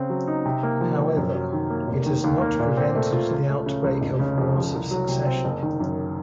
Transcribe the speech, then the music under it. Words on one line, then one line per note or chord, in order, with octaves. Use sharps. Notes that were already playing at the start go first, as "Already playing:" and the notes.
However, it has not prevented the outbreak of wars of succession.
Already playing: C#3 C4
F#3
D#4
C3
A#3
F3
C3
F#2
F#3
D#3
A#3
F1
D#3
D#2
A#3
A#2
C4
A3
F4
C#2
A3
C#3
C#2
F1
C#3
F2
F3
C2
F#3
C3
C4
F#1
D#3
F#2